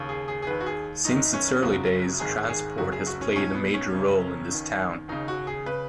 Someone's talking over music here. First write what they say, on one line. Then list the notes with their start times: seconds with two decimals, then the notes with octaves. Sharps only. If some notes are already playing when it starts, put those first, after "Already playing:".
Since its early days, transport has played a major role in this town.
Already playing: D#2 C#3
0.09 G#4
0.28 G#4
0.42 G#4
0.47 D#2 D#3 B4
0.61 F#4
0.66 G#4
1.05 F#1 F#2 D#3 D#4
1.34 C#4
1.62 F#1 F#2 C#3 F#4
2.20 G#1 G#2 D#3 G#4
2.49 G#4
2.77 F#1 F#2 C#3 F#4
2.92 G#4
3.07 F#4
3.21 C#4
3.35 C#2 B2 C#4
3.55 B3
3.74 C#4
3.93 F#1 F#2 C#3
4.51 D#2 D#3
5.08 D#2 C#3 D#4
5.28 F#4
5.47 G#4
5.66 C#3 B4